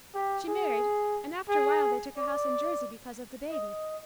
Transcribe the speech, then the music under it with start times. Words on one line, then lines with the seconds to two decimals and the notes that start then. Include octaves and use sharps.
She married, and after a while they took a house in Jersey because of the baby.
0.15 G4
0.49 G#4
1.49 G#4
2.17 D5
3.51 D#5